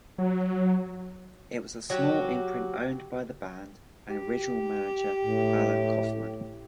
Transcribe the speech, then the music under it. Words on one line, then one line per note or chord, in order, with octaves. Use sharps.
It was a small imprint owned by the band and original manager Allan Coffman.
F#3
F#3 F#4 G4
G4
A2